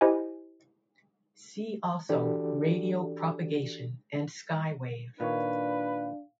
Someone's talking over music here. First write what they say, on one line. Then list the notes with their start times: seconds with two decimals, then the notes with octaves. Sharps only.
See also Radio Propagation and Skywave.
0.01 E4 G4 C5 D#5 G#5
2.09 E3 D4 F#4 G4 A4 D5
5.20 A#2 D#3 D4 B4 C#5 F5